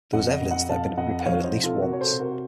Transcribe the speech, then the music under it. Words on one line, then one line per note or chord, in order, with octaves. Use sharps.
There was evidence that it had been repaired at least once.
F2 D#5 F#5
D#5 F#5
F2
D#5 F#5
F2 F5 A5
F2 D#5 F#5
F#5
F3 C#5 F5
C5 D#5
C3
F4 A4
C3 F#4 A#4
C#5
A4 C5
C3
F#4 A#4